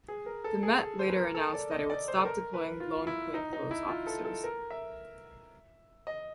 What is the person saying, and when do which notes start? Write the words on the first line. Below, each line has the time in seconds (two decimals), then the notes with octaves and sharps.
The Met later announced that it would stop deploying lone plainclothes officers.
0.08 G#4
0.26 A#4
0.44 A4
0.63 G#4
0.80 A4
0.99 C5
1.08 B4
1.17 A#4
1.35 A4
1.53 D5
1.71 D#5
1.90 D5
2.08 C5
2.18 A4
2.25 A#4
2.54 B4
2.80 F4
3.07 E4
3.34 D#4
3.53 D#4
3.71 E4
3.89 F4
4.07 A4
4.25 A4
4.44 A#4
4.71 E5
6.07 D#5